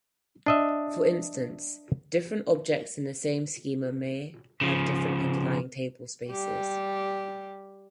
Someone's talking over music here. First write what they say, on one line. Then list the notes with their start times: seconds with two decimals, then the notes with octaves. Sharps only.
For instance, different objects in the same schema may have different underlying tablespaces.
0.46 D4 D#5 E5
4.61 C#3 F3
6.30 G3 G4